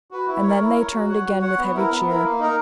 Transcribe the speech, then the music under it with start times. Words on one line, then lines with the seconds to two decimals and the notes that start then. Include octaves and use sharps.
And then they turned again with heavy cheer.
0.11 F#4 B4
0.27 E4
0.43 C#5
0.48 A#4
0.60 E4
0.75 A#4 C#5
0.93 F#4
1.09 C#5 F#5
1.25 F#4
1.41 C#5 F#5
1.58 B3
1.74 E4 A#4
1.90 B3
2.07 E4 A#4
2.24 A#3
2.39 D#4 A#4